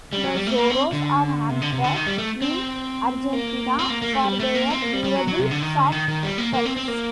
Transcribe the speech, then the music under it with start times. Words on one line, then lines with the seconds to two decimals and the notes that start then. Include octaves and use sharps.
The zorros are hunted in Argentina for their durable, soft pelts.
0.13 G3
0.24 F#3
0.35 G3
0.47 A3
0.58 A#3
0.70 C4
0.93 D3
1.49 C3
1.62 D3
1.72 C3
1.84 D3
1.96 D#3
2.07 G3
2.18 A3
2.42 C4
3.33 A#3
3.79 C4
3.90 A#3
4.02 A#3
4.13 A3
4.24 G3
4.40 A3
4.55 A#3
4.70 C4
4.82 A#3
4.93 G3
5.04 G3
5.16 F#3
5.27 F#3
5.39 C3
5.51 D3
5.62 D#3
5.77 D3
5.92 D#3
6.08 D#3
6.23 G3
6.38 A#3
6.53 A#3
6.65 C4
6.77 C4
6.88 A#3